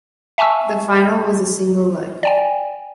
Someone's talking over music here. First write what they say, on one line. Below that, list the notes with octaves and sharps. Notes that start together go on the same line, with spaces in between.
The final was a single leg.
E5 G#5 A5 C#6 E6
D5 G5 G#5